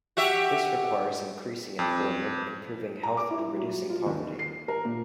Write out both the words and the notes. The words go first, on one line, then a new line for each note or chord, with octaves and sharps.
This requires increasing employment, improving health and reducing poverty.
F#4 G4 E5
F2
A#5
D6
E4
F#3
F4
D#2
C7
A#4
A#2